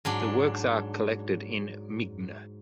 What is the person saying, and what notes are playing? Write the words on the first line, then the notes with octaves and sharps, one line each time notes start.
The works are collected in Migne.
G#2 F#3 D4